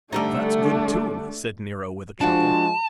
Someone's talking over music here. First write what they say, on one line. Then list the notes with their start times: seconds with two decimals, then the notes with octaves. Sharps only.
"That's good too," said Nero, with a chuckle.
0.12 D3 G3 A3 D4 D#4
2.21 F3 G#3 D4 F#4 A5